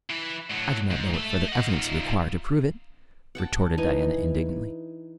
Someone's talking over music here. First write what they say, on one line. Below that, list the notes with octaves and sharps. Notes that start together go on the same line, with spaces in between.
"I do not know what further evidence you require to prove it," retorted Diana indignantly.
E3 B4
A2 F#3
G#2
A3 A4
D#5 F#5
D#4 F4
F#5 G5 A5
E3 D#4 G#5